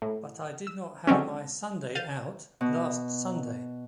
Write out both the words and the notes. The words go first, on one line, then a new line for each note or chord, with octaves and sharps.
But I did not have my Sunday out last Sunday.
A2
E6
D3 F#3 G#3 C4 C#4
F5 G6 A6 D#7
B2